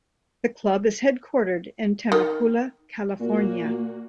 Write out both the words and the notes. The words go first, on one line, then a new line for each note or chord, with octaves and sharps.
The club is headquartered in Temecula, California.
D#3
A#2 A#3 F#4